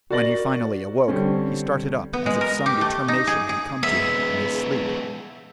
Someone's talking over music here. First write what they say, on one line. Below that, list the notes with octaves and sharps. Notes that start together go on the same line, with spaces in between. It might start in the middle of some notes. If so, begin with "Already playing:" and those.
When he finally awoke, he started up as if some determination had come to him in his sleep.
F#4 A#4 D5 A6 A#6 F#7
D3 G3 C4 C#4
B3
G#3
A#4
G4
A3
D#4
G#4
G#4
G#3 B3 E5